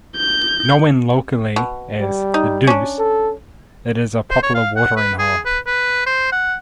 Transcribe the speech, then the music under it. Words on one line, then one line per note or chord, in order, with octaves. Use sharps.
Known locally as "The Deuce", it is a popular watering hole.
G6
B2
G3
D#4
C#4 D4
A4
C5
C#5
F5
F#5
B4
G#4
B4
B4
C5
F#5